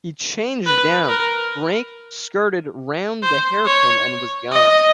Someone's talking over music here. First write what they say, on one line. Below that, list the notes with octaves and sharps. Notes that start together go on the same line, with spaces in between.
He changed down, braked, skirted round the Hairpin and was gone.
B4
A#4
C5
C#5
D#5